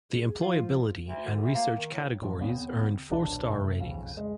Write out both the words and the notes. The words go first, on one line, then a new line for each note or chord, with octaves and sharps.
The employability and research categories earned four star ratings.
G#4
F3 F4 C5
D2
D3
D2
A#3
D#3
A2
A2 F3
D#2 C#3 B3 C4
D#1 B1 D4
B1 F#2 C3 A3
B1 F2 C#3
G#3